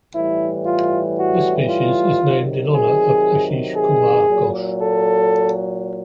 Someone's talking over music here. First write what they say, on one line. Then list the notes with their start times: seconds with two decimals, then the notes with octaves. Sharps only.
This species is named in honor of Asish Kumar Ghosh.
0.13 A2 E3 G3 E4
0.65 F4
1.17 F#4
1.69 F4
2.21 C3 D#3 F#3
2.72 G#4
3.76 G#4
4.28 A#2 F#3
4.80 A4